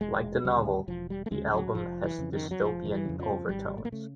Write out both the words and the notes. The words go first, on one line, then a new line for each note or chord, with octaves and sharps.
Like the novel, the album has dystopian overtones.
E1 G#3
D2 C#3 G3
E1 F3
G3
A3
D2 C#3 G#3
F#3
F1 F3
E3
F2 C#3
D#3
F#3
F1 F3
D#3
E3
F2 C#3
F3
G#1 G3
A3
A#3
C#3 A3